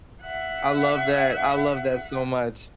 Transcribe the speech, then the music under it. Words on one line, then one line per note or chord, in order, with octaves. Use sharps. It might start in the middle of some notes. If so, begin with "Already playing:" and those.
I love that I love that so much.
E5 F#5